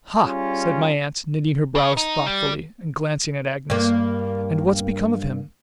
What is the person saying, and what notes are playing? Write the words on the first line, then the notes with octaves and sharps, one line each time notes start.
'Ha!' said my aunt, knitting her brows thoughtfully, and glancing at Agnes. 'And what's become of him?'
G3 C#4 F4 G#4
C#3
D#4
G3
G2 A#3